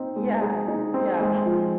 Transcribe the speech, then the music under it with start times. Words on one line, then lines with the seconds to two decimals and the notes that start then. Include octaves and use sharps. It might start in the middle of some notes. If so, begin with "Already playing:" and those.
Yeah, yeah.
Already playing: C4 D#4
0.16 G#3
0.42 G#4
0.68 D#4
0.94 C4
1.20 G#3
1.46 F3